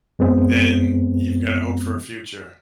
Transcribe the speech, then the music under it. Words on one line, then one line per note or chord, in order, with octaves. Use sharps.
then you've got a hope for a future.
F#2 G#3 B3 C4